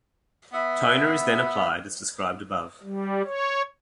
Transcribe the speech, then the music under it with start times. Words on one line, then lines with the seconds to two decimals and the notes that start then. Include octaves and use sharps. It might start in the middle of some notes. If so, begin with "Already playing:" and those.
Toner is then applied as described above.
0.53 B3 E5
2.83 G3
3.25 C#5